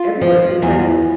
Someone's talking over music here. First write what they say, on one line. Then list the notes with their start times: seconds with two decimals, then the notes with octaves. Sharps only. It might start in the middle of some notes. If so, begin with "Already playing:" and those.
everywhere? Because
Already playing: F4
0.21 F3
0.62 E2